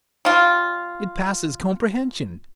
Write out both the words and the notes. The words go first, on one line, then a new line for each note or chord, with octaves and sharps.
It passes comprehension.
G3 F4